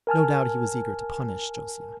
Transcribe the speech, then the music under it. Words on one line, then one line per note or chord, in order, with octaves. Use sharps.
No doubt he was eager to punish Josiana.
A#4 G#5 A5 F6